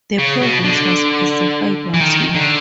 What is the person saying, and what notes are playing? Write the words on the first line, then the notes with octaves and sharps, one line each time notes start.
The province was pacified once more.
C#3
B2
D3
E3
D#3
D3